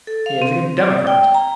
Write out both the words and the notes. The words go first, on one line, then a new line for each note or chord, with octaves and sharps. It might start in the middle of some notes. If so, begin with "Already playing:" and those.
He is a good Democrat.
A4
F5
C4
D5
G5
A#5